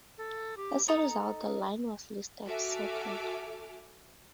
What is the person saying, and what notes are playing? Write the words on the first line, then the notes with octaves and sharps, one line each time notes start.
As a result the line was listed second.
A4
G4
D#4 A4 A#5 D#6
F#4 A4 E5 G#5 D6 F6